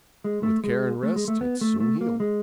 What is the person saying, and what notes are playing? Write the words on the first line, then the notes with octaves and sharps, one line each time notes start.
With care and rest, it soon healed.
G#3
A3
G#3
A3
G#3
A3
B3
A3
A3
A#3
G#3